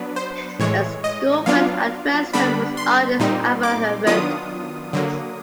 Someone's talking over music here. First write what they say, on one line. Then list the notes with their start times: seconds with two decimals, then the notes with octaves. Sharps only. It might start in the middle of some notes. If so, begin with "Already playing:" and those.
A schoolfriend at West Ham was artist Albert Herbert.
Already playing: F#3 B3 D4 B4
0.16 C5
0.59 A2 E3 G#3 C#5
1.04 D#5
1.46 F#3 B3 D4 F4 F5
2.33 D3 G3 B3 D4 B5
2.77 C6
3.20 A#2 G3 C4 D#4
3.63 D6
4.07 D#3 F#3 B3 D4 F4 D#6
4.93 D3 F#3 A#3